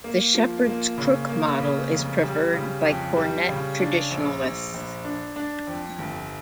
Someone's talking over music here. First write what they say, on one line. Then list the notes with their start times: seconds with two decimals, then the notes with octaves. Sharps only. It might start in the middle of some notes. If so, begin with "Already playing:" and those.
The Shepherd's Crook model is preferred by cornet traditionalists.
0.04 A#3
0.35 F3
0.66 A#3
0.98 C#3
1.29 A#3
1.60 C#3
1.92 F1
2.23 G3
2.54 C#3
2.85 F2
3.17 G3
3.49 C#3
3.79 D4
4.11 A#1
4.42 A#1
4.74 A#1
5.05 D4
5.36 D4
5.67 F2
5.99 G1